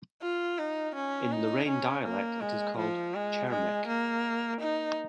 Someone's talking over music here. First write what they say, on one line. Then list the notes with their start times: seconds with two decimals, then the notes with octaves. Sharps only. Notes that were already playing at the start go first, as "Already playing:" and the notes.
In Lorraine dialect it is called "Chermec".
0.22 F4
0.59 D#4
0.95 C#4
1.32 D#4
1.68 C#4
2.05 A#3
2.41 G#3
2.78 F3
3.14 G#3
3.51 G#3
3.88 A#3
4.61 D#4